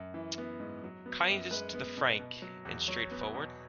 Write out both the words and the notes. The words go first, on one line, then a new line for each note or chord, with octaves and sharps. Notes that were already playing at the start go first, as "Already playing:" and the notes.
Kindest to be frank and straightforward?
Already playing: F#2
E3
B3
G#2
F#3
B3
F#2
G#3 B4
B3
B2
B2
F#3
E2
F#3 C#5
B3
B2